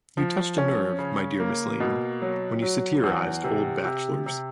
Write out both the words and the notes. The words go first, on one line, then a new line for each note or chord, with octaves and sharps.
You touched a nerve, my dear Mrs. Layton, when you satirized old bachelors.
F3
C#4
C#3
A#3
B2
F#3
F#3
E2
C3
C3
C3